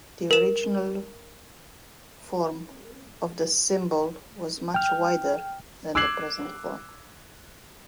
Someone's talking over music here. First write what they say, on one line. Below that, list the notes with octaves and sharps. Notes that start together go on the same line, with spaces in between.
The original form of the symbol was much wider than the present form.
A#4 E7
G5 F6
D6 E6 F#6 G#6 C7 F#7